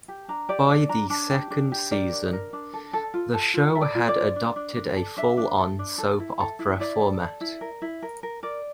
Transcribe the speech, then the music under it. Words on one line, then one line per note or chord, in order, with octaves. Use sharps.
By the second season, the show had adopted a full-on soap opera format.
G4
D4 A#5
G4 D5
D4 D5
D4 A#5
D4 A5
G4
D4
G4
A#4 D5
D4
A#4
D4
A4
A4
F4
A4
F4
A4 E5
D5
F4
D5
F4
D4
D4
D4
A4
D4 E5
D4
A4
D4
A4
E4
A4
E4
E4 D5
A4
A4
E4
A#4
E4
A#4
A#4
A#4 D5